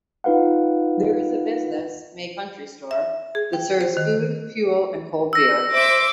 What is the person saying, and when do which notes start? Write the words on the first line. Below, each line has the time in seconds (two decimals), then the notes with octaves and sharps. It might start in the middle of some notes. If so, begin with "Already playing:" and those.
There is a business May Country Store that serves food fuel and cold beer.
0.24 D#4 F4 B4 F5 F#5
2.91 E5
3.35 G#4
3.53 G5
3.81 C5
3.97 D#3
5.33 E6 A#6
5.73 C5 E5 D6